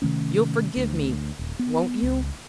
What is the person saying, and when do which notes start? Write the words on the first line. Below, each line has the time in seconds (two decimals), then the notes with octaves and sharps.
You'll forgive me--won't you?
0.02 C3 D#3 A3 C#4
0.76 D2
1.39 D#1
1.59 B3
2.03 C#2